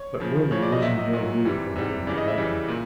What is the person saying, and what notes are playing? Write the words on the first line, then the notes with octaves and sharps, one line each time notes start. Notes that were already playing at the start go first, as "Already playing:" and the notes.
But Wimley was in no mood for holding a levee.
Already playing: C#5
C#3 F3
C#3 F3 C#5
D5
D#5
A#2 F#3 E5
D#5
A#2 F#3
C3 E3 G3
C3 E3 G3
C#3 E3 G3 D5
D#5
E5
C#3 E3 G3
A#2